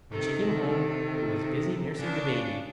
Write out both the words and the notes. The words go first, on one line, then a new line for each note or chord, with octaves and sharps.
When she came home, he was busy nursing the baby.
C3 D#3 A4
C#3 D4